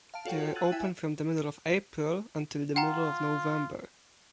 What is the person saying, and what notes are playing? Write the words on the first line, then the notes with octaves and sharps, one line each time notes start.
They are open from the middle of April until the middle of November.
F5 A5 D7
F4 F#4 A4 C#5 F#5 G5
E6 F#6 G#6 A6 D#7 F#7
E4 E5 G5 G#5
F4 F#5 G5 A#5